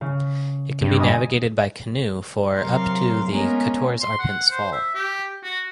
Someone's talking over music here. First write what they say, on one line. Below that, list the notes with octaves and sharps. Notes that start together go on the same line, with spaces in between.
It can be navigated by canoe for up to the Quatorze Arpents Fall.
C#3
G2
D#5 G#5 D#6
C3 F#3 A#4 F5 C6
G#3 A#3 B3 C#4 A#4
C6
F#5
C5
E5
G4
F#4